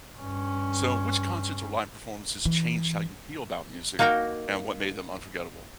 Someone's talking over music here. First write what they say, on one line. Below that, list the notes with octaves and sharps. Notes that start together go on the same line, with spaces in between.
So which concerts or live performances changed how you feel about music and what made them unforgettable?
G2 C#4
E3
A#3 D#4 F#4 A#4 G5